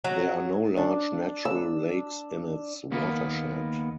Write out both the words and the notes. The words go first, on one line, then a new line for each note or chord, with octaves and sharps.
There are no large natural lakes in its watershed.
F#3
D4
E6
D#2 A#3 B3